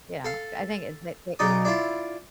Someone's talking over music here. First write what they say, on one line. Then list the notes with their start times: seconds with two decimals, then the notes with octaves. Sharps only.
you know. I think it it it
0.25 A4 F5
1.39 B1 C#3 D#4 D5 D#6
1.65 D4 E4 F4